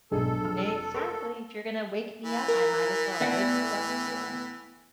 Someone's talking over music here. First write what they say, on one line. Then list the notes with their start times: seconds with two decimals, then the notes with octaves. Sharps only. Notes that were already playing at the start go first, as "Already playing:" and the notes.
Exactly, if you're gonna wake me up, I might as well wake you up too.
0.11 B1 G#2 B2 F#3 D4 G#4 A4
0.45 F1 F2 F6
0.94 A#4 C5 C#6 D7
2.25 E3
2.48 A#4
3.20 A2 B3 D5 F#5